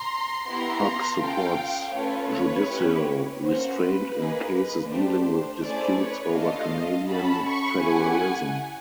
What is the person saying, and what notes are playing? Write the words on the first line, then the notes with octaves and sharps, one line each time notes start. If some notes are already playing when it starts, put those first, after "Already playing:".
Hogg supports judicial restraint in cases dealing with disputes over Canadian federalism.
Already playing: A#5 C6
B3 E4 G4 A#5 C6
C#4 F4 A4 F5 G5
A3 C#4 F4 A4 B4 C#5
C#4 E4 G4
A#3 C#4 F#4 C5
B4
A#3 D#4 G#4
A3 D4 G4 C5
A3 C#4 E4 G#4 C5 D5
B4 C#5
A3 D4 F4 A4 D#5 F5
C#4 F#4 A4 A5 B5
B5 C#6
A3 C#4 E4 G4 F#5 G#5